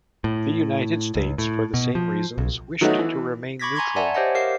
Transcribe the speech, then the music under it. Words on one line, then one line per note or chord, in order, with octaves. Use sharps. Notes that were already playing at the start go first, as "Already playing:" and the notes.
The United States, for the same reasons, wished to remain neutral.
A2
C#2
A2
B2
F3
B1
D#3 F#3 A3 B3 D#4 F#4
E3
B5 C#6 D6 G#6 A#6 B6
G#5 A#5 C6 C#6 G#6
D5 E5 F#5 G#5 A5
G4 C5 C#5 D#5 E5 F#5
G4 A#4 D#5 F5 C7